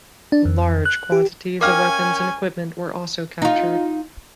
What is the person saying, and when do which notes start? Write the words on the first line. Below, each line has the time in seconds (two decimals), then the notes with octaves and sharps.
Large quantities of weapons and equipment were also captured.
0.32 D4
0.45 F2
0.85 F#6
1.12 G4
1.61 C#4 A#4 F5 G5 G#5 D6 F6
3.42 D#4 F4